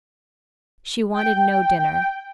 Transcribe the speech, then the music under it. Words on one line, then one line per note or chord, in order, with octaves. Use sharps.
She wanted no dinner.
G5